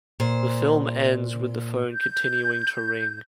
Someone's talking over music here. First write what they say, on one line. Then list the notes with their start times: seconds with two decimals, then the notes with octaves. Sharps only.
The film ends with the phone continuing to ring.
0.20 A#2 C5
1.92 G6